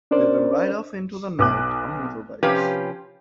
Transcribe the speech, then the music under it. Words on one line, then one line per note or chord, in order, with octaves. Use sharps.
They then ride off into the night on motorbikes.
C#4 D4 A#4 C5 D5
B1 B3 D6 D#6 F#6
C3 F3 C#4 F4 G4 B4